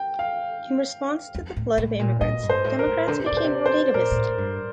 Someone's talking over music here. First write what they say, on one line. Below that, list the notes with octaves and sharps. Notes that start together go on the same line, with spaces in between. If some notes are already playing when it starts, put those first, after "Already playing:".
In response to the flood of immigrants, Democrats became more nativist.
Already playing: G5
F5
F2
A2
A2
A#2
A#2 D#5
G2
C5
A2
A#4
A2
D3 C5
C3
D5
A#2 C5
C3
C5
A#2 A#4
A#2
A2
G2